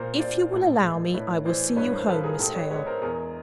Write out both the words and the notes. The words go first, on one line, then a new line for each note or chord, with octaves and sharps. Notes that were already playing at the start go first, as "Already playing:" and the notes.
'If you will allow me, I will see you home, Miss Hale.
Already playing: A#2 A#4 C5
A#2 C5 D5
A2
G#3
A2 B4 C#5
E3 C5 D5
G2 B4 C#5
A#4 C5
F3 A4 B4
G#4 A#4
A#4
G#2 G4 A4
B4 C#5
G#3 B4 C#5
A#4 C5
E2 G#4 A#4